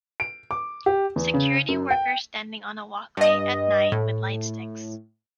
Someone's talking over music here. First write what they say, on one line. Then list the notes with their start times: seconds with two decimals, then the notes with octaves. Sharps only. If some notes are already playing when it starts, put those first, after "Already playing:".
Security workers standing on a walkway at night with light sticks.
0.20 D7
0.51 D6
0.86 G4
1.16 E2
1.34 C#3
1.68 F#2
1.91 G5
3.17 G2 D#5
3.92 A2